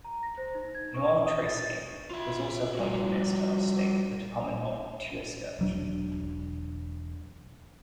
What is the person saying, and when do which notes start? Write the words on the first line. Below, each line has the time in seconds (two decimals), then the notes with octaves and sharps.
Noel Treacy was also appointed Minister of State at the Department of the Taoiseach.
0.04 A#5
0.23 A#6
0.38 C5
0.55 D#4
0.75 G#6
0.94 C#6
1.26 D#6
1.45 A6
2.11 F4 E5
2.75 G3 F4 F#4
5.59 E1 F#3 D4